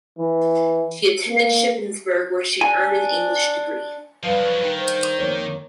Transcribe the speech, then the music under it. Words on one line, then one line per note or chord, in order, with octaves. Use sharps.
She attended Shippensburg where she earned an English degree.
E3
A#3
D4 G#5
G2 F3 F#3 B4 F5 A5
D#3
C5
F2 A#3 C#5